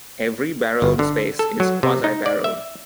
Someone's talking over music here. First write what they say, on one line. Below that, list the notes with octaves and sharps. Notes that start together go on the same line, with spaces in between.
Every barrelled space is quasi-barrelled.
G1
D3
A4
F#3
C3
D#4
D5
E5